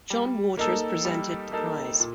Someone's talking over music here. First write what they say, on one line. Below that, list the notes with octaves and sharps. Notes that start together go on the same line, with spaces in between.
John Waters presented the prize.
G3
A#3 D#4 A4
G3
A#3 D#4 A4
A#2